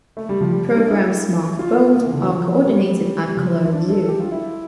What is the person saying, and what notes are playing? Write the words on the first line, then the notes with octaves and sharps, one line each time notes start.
Programmes marked bold are coordinated at Cologne Zoo.
A3
G3
F3
G3
G3
D4
E4
E4
F4
A#3
E3
D3
E3
F3
G3
G3
F3
E4
D4
A4
A4
G4
F4
E4